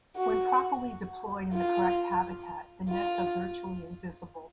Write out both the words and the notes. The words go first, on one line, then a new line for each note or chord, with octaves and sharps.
When properly deployed in the correct habitat, the nets are virtually invisible.
F#4
F4
F4